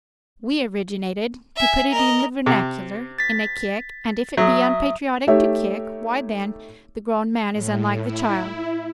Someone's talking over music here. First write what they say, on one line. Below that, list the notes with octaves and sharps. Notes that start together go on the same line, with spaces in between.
We originated, to put it in the vernacular, in a kick, and if it be unpatriotic to kick, why then the grown man is unlike the child.
E5 G#5
A#4 D#5
C3
A6 B6
F#3 E5 D#6
A3 D#4 G4 C#5 E5
A2
E4